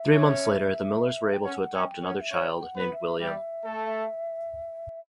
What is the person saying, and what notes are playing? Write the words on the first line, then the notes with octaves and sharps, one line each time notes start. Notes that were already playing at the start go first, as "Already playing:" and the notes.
Three months later, the Millers were able to adopt another child, named William.
Already playing: E5
C#4 C#5
G5
C#4 C#5 F#5
C#4 C#5 G5
C#4 C#5 F#5
E5
C#4 C#5 F#5
G5
F#5
B3 B4
E5
G3 G4 E5
A3 A4